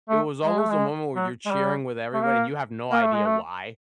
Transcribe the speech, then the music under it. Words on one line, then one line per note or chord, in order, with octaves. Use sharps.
it was almost a moment where you're cheering with everybody, and you have no idea why,
A3
G#3
A3
G#3
F#3
G#3
G3
A3
A#3
A#3
A3
G#3
A3